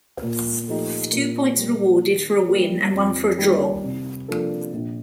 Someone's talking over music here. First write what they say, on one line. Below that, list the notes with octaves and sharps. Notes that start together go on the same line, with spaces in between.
Two points are awarded for a win and one for a draw.
A#2
F3 A3 D#4 G4
A#2
G3 A#3
D#3
G3 A#3
F2
D#3 G3 A#3
C3
F3 A#3 D4 A4
A#1